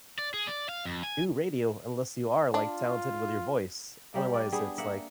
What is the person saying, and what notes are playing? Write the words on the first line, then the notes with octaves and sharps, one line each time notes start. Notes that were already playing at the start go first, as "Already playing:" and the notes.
do radio unless you are, like, talented with your voice. Otherwise, it's like,
D5
G#4
D5
F5
F2
G#5
D4 F4
G3 A#3
D5
G3 B3 D4 G#4
A#3 E5 F#5